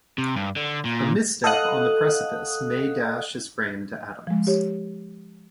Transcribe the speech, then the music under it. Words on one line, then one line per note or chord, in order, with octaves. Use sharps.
A misstep on the precipice may dash his frame to atoms.
C3
G2
D3
A#2
A4 D#5 F5 F#5 D#6 F#6
F3 G#3
G4 C#5